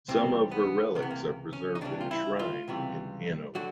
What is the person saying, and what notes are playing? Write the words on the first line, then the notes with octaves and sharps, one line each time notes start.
Some of her relics are preserved in a shrine in Hanover.
C#2 C3 E3 G3 C4
B3
C#2 C3 E3 G3 A#3
B3
A#3
C#4
D#4
C#2 C3 E3 G3 D4
F4
E4
F4
C#2 C3 E3 G3
D3 F#3 F#4